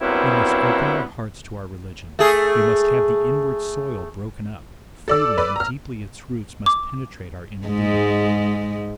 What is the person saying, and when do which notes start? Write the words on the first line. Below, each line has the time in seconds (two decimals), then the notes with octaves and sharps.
We must open our hearts to our religion; we must have the inward soil broken up, freely and deeply its roots must penetrate our inner being.
0.01 G2 A#2 F#3 B3 C4 E4
2.19 A3 G#4
5.08 A4 D5 E6
5.38 B4 D5
5.56 A#5 F6
6.66 D6
7.67 G#2 G#3